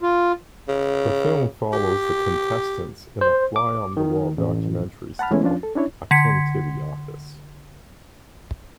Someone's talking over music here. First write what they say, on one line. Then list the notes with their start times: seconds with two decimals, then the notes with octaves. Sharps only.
The film follows the contestants in a fly-on-the-wall documentary style, akin to "The Office".
0.02 F4
0.68 C#3
1.73 G4
3.21 C5
3.56 D6
3.97 D#3
4.37 A1
5.19 F#5 A5 B5 F6
5.31 E3 G#3 A3 B3 C#4 E4
5.43 F3 C#4 D4 F4
5.63 A4
5.75 C#4 D4 E4 C#5
6.11 D3 G#6 B6 C#7